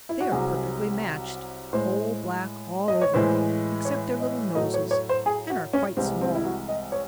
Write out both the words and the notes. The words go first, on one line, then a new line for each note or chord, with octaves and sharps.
They are perfectly matched--coal-black all over, except their little noses, and are quite small.
E4
F#4
C2 C3 F#3 G#4
A2 G#3 C5
D#5
C#5
A2 E3 G#3 C5
C#5
D#5
A2 F#3 A3 D#5
C#5
C#5
C5
G#4
F#4
C#4
C2 C3 E3 G#3 C4
C4
E4
F#4
D#5
C#5